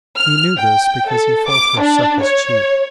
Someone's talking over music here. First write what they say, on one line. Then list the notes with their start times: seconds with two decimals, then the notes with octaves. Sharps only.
He knew this because he felt her suck his cheek.
0.17 F6
0.57 G5
1.10 A4
1.49 D6
1.81 D4
2.22 C#5